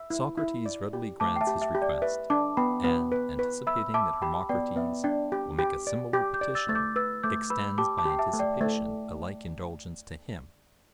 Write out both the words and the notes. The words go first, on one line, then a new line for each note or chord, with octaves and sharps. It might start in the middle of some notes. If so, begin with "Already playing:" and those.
Socrates readily grants his request, and anticipating that Hermocrates will make a similar petition, extends by anticipation a like indulgence to him.
Already playing: E5
E4
E4
D5
G4
A3 A5 D6
G5
E5 A5
G4
E5
G4
D5
B4 E5
D4 A5 D6
B3 G5 B5
B3
B4
B4
E5 B5 E6
E5 A5 D6
G4 G5 B5
B3 D5 G5
B3 E5
D4 D5 G5
G4
G4
D5
G4 D6 G6
D6 G6
D5
E6 A6
A3 A6
D6 G6
B4 E6 A6
A3 D6 G6
B4 B5 E6
G4 A5 D6
A5 D6
G4 G5
E5 A5
A3
D5 G5
A3